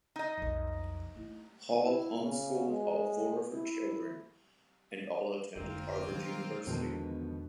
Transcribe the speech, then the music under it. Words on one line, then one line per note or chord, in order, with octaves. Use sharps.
Hall home-schooled all four of her children and all attended Harvard University.
D#4 D#5
B1 F2
A3 E4
E4
C#3
G#3
E4
F1 D2 A#3 C4 F4
B2 D#3 F#3
E2 B2 D3 D#3 F3 G#3 B3 D4